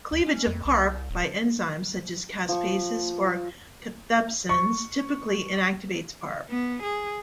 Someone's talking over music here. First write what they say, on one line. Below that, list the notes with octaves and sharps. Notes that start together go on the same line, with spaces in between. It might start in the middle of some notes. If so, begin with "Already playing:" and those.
Cleavage of Parp, by enzymes such as caspases or cathepsins, typically inactivates Parp.
D2
C#4
F2
C2
D1
F3 C#6
C#6
B3
G#4